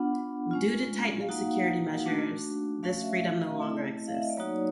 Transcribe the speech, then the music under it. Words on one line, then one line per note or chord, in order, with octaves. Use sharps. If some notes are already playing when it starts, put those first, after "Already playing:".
Due to tightened security measures, this freedom no longer exists.
Already playing: B3 D4 F4 F#5
G#3 C#4 F4
F5
A#3 D#4 F#4 F#5
A3 D4 F#4
A3 C#4 F#4 F5
E5
F5
D#5
A3 C4 E4
F5
E5
D#5
D5
F#3 A#3 D#4 F#4 C#5